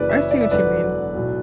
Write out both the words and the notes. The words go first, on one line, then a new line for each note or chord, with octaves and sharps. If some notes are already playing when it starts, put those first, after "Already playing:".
I see what you mean.
Already playing: F#1 F#2 C#3 E3 B4 D5
C#5 E5
D5
E5
E1 E2 D3 F#3 B4 D5
B1 A2 F#3